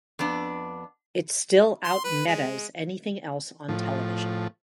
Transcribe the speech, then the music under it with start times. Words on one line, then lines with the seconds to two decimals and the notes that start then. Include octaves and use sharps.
It still out-metas anything else on television.
0.19 F2 B3 D4
1.84 C6
2.04 B4
2.27 G#3
3.69 A2 F3